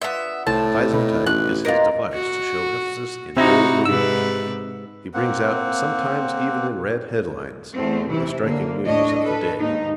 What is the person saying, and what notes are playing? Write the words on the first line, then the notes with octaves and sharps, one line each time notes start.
Size of type is his device to show emphasis in bold relief. He brings out sometimes even in red headlines the striking news of the day.
B3 D4 F4 E5
C2 A2 C4 A5
B2 C4 D#4 B4
A1 F#6
E3 A#3 F4 A#4 D#5
F#4
C3 D#4 E4 F#4 A#5
G#2 C3 B4 E6
A#3 C4 F#5
E2 A3 C4
C3 E3 E4
D3 A#3
A2 D4 C#5 D#5
A4 B4
D#2 G#2 D#4